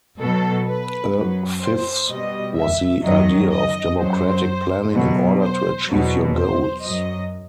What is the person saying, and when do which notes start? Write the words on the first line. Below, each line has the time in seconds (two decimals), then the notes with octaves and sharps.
A fifth was the idea of democratic planning in order to achieve your goals.
0.20 B2 F#3 A4
0.68 B4
1.15 F#2 F#3
1.62 C5
2.09 B2 G3 D#5
2.56 E5
3.04 F#2 D#3 F#3 D#5
3.51 D#5
3.99 F#2 F#3 C5
4.93 B2 F#3
5.40 C5
5.88 E2 B2 F#3
6.35 C5
6.82 F#2 F#3 D#5